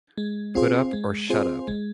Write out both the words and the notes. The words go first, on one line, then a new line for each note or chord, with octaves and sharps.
Put up or shut up.
G#3
C4 F4 G#4 C5
G#3
C4 F4 G#4 C5
G#3